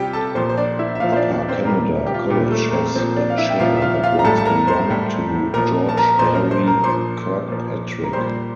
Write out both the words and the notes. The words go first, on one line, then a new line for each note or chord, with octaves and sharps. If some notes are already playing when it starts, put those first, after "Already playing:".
Upper Canada College has a chair that once belonged to George Airey Kirkpatrick.
Already playing: C3 G3 F4 G4 G5
A4 A5
A#2 F3 C5 C6
C5
D4 D5
E4 E5
E5
A#2 F3 F4 F5
C5
D4 D5
D4 D5
C4 C5
A#2 G3 A#3 A#4
G4
F4
A#2 G3 G4
A3 A4
A#4
C4 C5
A#2 F3 C4 C5
D4 D5
F5
E4 E5
G5
A#2 F3 F4 F5
E5
F4 F5
F4 F5
A#5
A2 G3 A4 A5
A5
A#4 A#5
C5 C6
A2 G3
A#2 F3 A#4 A#5
A5
A#4 A#5
A#2 F3 C5 C6
A#4 A#5
C5 C6
A#4 A#5
A#2 F3 C5 C6
A#2 F3
A#5
A#2 G3 C5 C6